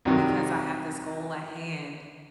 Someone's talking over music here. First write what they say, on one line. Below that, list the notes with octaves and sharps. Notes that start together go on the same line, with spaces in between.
"Because I have this goal at hand,
C2 F2 C3 D#3 F#3 G3